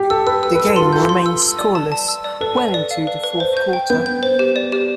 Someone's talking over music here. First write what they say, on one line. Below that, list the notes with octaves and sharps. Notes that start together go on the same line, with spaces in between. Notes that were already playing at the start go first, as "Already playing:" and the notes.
The game remained scoreless well into the fourth quarter.
Already playing: G4
A4 E6
B4 E6
E6
B4 E6
A4
F4 C6
A4 G6
C6
E6
E6
D5
A5
A5
E6
D5
A4 B4
B4
D5
F5
B4
B4
C5
G6
G5
B3 G6
G6
C5
G4
D5
G4